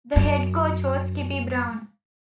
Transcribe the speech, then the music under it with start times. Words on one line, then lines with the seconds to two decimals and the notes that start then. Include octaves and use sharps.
The head coach was Kippy Brown.
0.16 F#2 D4